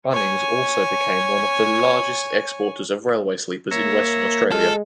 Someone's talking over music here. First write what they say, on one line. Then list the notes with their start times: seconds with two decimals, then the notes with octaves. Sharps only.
Bunnings also became one of the largest exporters of railway sleepers in Western Australia.
0.12 C#5 G#5
3.71 A#3 C#5 E5 A#5
4.51 G#3 F4 A4